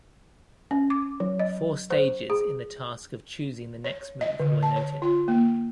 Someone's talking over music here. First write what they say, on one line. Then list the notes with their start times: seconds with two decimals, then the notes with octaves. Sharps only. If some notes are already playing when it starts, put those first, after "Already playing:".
Four stages in the task of choosing the next move were noted.
0.71 C#4
0.90 D6
1.20 F#3
1.39 D#5
1.90 C5
2.30 G#4
3.84 C#5
4.21 D#5
4.40 D3
4.63 A5
4.76 C#5
5.02 F4
5.28 A#3